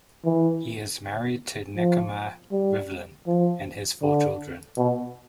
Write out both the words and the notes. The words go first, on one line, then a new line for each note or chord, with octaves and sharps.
He is married to Nechama Rivlin, and has four children.
E3
F3
G3
F3
D3
B2